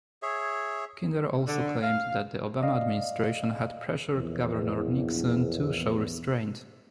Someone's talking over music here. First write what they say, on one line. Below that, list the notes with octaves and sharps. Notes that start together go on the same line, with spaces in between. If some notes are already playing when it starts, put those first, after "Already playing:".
Kinder also claimed that the Obama administration had pressured Governor Nixon to show restraint.
G#4 C#5 E5
D3
F5
D5 D#5 F5
A#1 E2